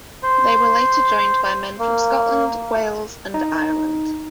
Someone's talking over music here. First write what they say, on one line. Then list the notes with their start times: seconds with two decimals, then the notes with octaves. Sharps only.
They were later joined by men from Scotland, Wales and Ireland.
0.23 C5
1.79 A#3
3.34 D#4